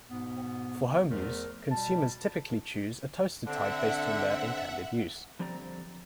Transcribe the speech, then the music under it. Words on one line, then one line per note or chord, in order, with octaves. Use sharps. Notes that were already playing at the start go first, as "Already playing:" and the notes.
For home use, consumers typically choose a toaster type based on their intended use.
G#2 B2 B3
E2 F3 A3 A#4
B2 G3 A5
D3 C4 E5 F#5
D3 F3 G3 C4 D5 A#5